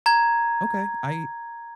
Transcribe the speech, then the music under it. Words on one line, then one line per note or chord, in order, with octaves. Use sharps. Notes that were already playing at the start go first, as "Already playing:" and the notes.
okay. I
A#5 G#6